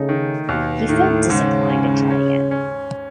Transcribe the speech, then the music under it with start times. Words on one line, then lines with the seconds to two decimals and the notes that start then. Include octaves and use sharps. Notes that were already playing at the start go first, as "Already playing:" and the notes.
He felt disinclined to try again.
Already playing: C#3 A3 D#4
0.09 D#3
0.48 D#2 B2
0.89 A2 D#3
1.30 G#2 C#3
1.69 C#4
2.10 C#4
2.51 C#4